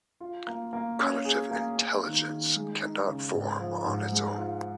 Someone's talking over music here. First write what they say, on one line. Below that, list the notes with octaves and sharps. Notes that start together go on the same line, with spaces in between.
Cognitive Intelligence cannot form on its own.
F4
A#3
A#3
C#4
G#4
A#3
A#3
D#3
D#3
G#3
D#4
C#3
G#2
F3
G#2
G#3
F4